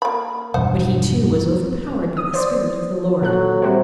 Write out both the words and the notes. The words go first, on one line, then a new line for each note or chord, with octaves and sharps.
But he, too, was overpowered by the spirit of the Lord.
A#3 B5
B1 E2 G2 C5 F#5
D#6
C5 D5
A#2 F#3 A4 F#6
C3 G3 F#4 C5